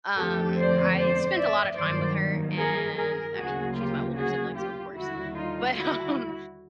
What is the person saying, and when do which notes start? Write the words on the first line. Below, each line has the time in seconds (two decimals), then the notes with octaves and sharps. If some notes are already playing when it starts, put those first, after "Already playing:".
um, I spent a lot of time with her and, I mean, she's my older sibling, so of course, but, um,
0.17 F2 D3 F3 A3 C4 G4 A4
0.58 C5 D5
0.97 C5 D5
1.37 D5 E5
1.76 G2 D#3 F#3 A#3 C5 D5
2.56 G#4 A#4
2.95 G#4 A#4
3.35 D2 C#3 F#3 A#3 F#4 G#4
3.75 F4 G4
4.15 F#4 G#4
4.54 F4 G4
4.94 D#2 D3 G3 E4 F#4
5.34 D#4 F4
5.74 E4 F#4